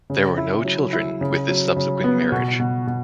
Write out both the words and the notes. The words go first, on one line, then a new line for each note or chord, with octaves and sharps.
There were no children with this subsequent marriage.
C#3
E4
F#3
E4
C#3
F#3
C#3
B3
B2
B2
B2